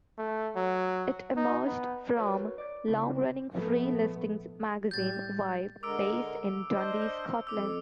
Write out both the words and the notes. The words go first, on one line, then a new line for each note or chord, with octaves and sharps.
It emerged from long-running free listings magazine "Vibe" based in Dundee, Scotland.
A3
F#3
D#4
B3
F#4 A#4 B4 C#5
D5
C#3 C4 E4
A#1 G#2 A3 B3
A2 G3 G6 A6
D3 G#3 A#4 D6 E6 D7
D4 C5 D#5
E6
F2 D6 E6